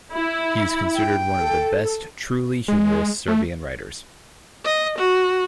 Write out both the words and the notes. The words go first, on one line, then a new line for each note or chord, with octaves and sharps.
He is considered one of the best truly humorous Serbian writers.
E4
G5
A4
G#3
A3
D#5
F#4